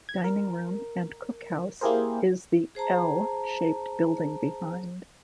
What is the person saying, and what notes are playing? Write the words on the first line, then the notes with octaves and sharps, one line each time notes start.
Dining room and cook house is the "L" shaped building behind.
G#6
A#4
A#3 E4 G4 G#4 A#4 C5
G#4 C5 A5 A#5